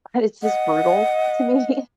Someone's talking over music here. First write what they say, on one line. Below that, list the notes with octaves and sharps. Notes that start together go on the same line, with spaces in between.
it's just brutal to me.
D#5 F#5